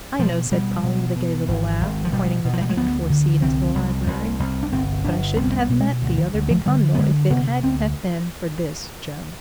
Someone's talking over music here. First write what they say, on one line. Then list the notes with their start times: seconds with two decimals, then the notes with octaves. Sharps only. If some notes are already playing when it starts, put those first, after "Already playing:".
"I know," said Polly with a gay little laugh, pointing with the handful of seed into the library, "but I shouldn't have met the other big bundle if it hadn't have been for this, Joe!"
0.19 B2 F3
0.51 B2 G3
0.83 B2
1.16 B2
1.48 G#1
1.81 G#1
2.05 F3
2.13 B2 G3
2.45 B2
2.53 F3
2.61 G3
2.69 G#3
2.77 D2 B3
3.10 D3
3.42 C2 C4
3.75 C2
4.07 C2
4.40 C2
4.63 D4
4.72 G1 C4
5.04 G1 D4
5.36 C2 C4
5.52 C4
5.59 B3
5.69 B2
5.80 G#3
6.02 D2
6.18 D#3
6.34 D2
6.50 F3
6.66 D3 G3
6.95 B3
6.98 D3 G#3
7.30 C3 B3
7.63 D2 C4